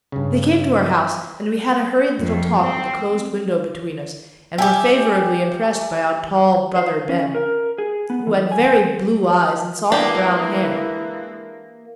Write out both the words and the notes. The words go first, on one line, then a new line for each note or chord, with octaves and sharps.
They came to our house, and we had a hurried little talk with a closed window between us, and were favorably impressed by our tall "Brother Ben," who had very blue eyes and soft brown hair.
G2 C#3
F2
C4
G4 E5 G5 G#5
C5
C#4
A#4
G#4
B3
E3
G#5
E3 G#3 A#3 B3 D4 G4